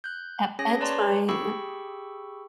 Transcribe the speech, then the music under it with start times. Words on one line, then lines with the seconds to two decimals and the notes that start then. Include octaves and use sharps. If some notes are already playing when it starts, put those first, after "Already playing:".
at bedtime,
0.04 F#6 G6
0.59 C#4 G#4 C#5 G#5 A#6
0.80 B4 C#5 D5 A5 A#5 C6
1.28 G4 G#4 G5 B5 C#6 E6